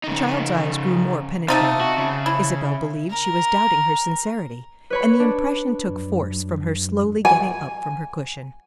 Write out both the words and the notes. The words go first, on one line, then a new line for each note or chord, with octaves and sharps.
The child's eyes grew more penetrating; Isabel believed she was doubting her sincerity, and the impression took force from her slowly getting up from her cushion.
C#3 D#4
C3 A3 D#4 F4
F#4
C#3
E4
A#4
B4 C#5 B5
D4
F#2
G#5